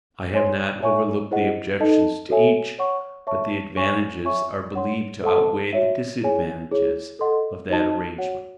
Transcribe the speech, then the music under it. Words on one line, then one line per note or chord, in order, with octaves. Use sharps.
I have not overlooked the objections to each, but the advantages are believed to outweigh the disadvantages of that arrangement.
C#5 G#5 C6
C#5 E5 G#5 C#6
E4 G#4 C5 D#5 F#5
D#4 A4 D#5 A5
F#4 A4 C#5 E5 G#5
C#5 F#5 C#6
C#5 E5 A5 C#6
C#5 G#5 C#6
C#5 E5 G#5 C#6
C#5 F#5 C6
A4 C5 F#5 A5 C6
F#4 C#5 E5
E4 G#4 C#5 G#5
E4 G#4 C#5
A4 D#5 F#5 C6
D#4 F#4 C5 D#5 A5
F#4 C#5 F#5